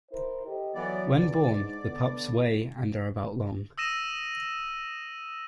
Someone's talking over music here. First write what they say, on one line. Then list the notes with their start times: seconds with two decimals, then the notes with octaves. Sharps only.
When born, the pups weigh and are about long.
0.11 E4 A#4 C5
0.45 G4 A4 D#5
0.75 E3 F#3 B3 D5
1.15 E2 D5
1.53 G#2 D4
1.85 D3 B3
3.78 D#6 E6 A#6 D#7 E7